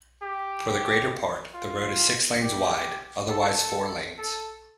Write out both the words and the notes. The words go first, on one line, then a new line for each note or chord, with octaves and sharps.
For the greater part, the road is six lanes wide, otherwise four lanes.
G4
F4
G4
A4
A4